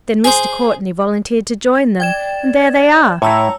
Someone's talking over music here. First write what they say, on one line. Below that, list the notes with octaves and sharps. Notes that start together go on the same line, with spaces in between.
Then Mr. Courtney volunteered to join them, and there they are.
G#4 C5
D5 G5 G#6 E7
A2 E4 C#5 A5 A#5 E6